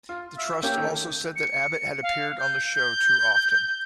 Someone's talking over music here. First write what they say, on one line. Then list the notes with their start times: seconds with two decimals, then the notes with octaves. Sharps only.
The Trust also said that Abbott had appeared on the show too often.
0.09 F4
0.38 E5
0.63 A#3 C#4 G4 G5
0.78 D#3 A3 A4
1.36 C#7
2.03 F5
2.39 G6
2.75 G6